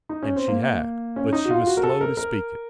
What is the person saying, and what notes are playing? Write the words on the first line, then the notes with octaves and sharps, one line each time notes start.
And she had. But she was slow to speak it.
D#4
C#4
C4
A#3
C#4
D#4
F#4
F4
F#4
A#4
A4
A#4
A#4